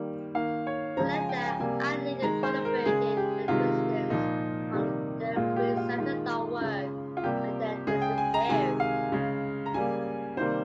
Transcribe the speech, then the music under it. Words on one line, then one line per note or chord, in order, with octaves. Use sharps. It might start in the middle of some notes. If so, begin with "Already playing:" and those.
Senada allegedly collaborated with The Residents on their pre-"Santa Dog" work, and then disappeared.
Already playing: D#3 G3 A#3
D#3 A#3 F5
C#5
C#3 F3 G#3 A#5
G#5
G5
G#5
C3 G3 A#3 G#5
D#3 G#3 A#5
C5
A#4
C#3 G#3 G#4
G4
C3 D#3 G#3 F4
A#2 F3 A#3 D#4
C3 D#3 G3 A#3
A#2 G#3 F4
G4
F4
D#3 G#3 F4
C#3 G#3
F4
C3 G3 A#3 G4
C#3 G#3 G#4
G5
G#5
A#5
C3 D#3 G#3 G#5
F5
C#3 G#3
A#5
C#3 G3 A#3 G#5
C3 D#3 G3 A#3 C5